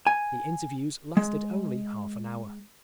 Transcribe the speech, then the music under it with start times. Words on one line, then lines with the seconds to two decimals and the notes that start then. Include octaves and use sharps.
The interviews lasted only half an hour.
0.07 G#5
1.17 G#3